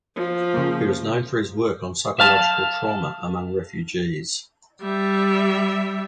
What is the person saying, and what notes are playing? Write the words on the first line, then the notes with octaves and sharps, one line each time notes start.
He was known for his work on psychological trauma among refugees.
F3
C#3 A#3
E5 F5 A5
G3 E5